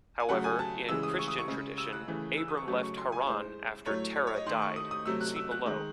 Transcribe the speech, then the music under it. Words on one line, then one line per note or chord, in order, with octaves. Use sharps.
However, in Christian tradition Abram left Haran after Terah died, see below.
G#5
C#3 F#3 A3 F#5
G#5
A5
C#3 E3 G#3 E6
D#6
C#6
D#6
C#6
C#3 G#3
E6
F#6
C#3 E3 A3
E6
D#6
C#6
C#3 F#3 A3 C#6
C#6
C6
G#5
C#5
A2 G#3 C5
A2 F#3 A3 C#5
C#5
C#5
D#5
D#3 A3 C6
C#6
D#6
D#6
C3 F#3 A3 E6
F#6
E6
F#6
D#3 G#3